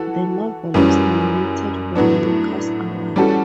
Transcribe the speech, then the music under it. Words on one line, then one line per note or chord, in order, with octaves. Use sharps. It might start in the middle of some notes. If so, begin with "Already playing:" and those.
The novel was nominated for the Locus Award.
Already playing: E3 F#4 A4
F#2 E3 G3 C#4
A2 F#3 B3 D4
E3 G3 C#4 F#4 A4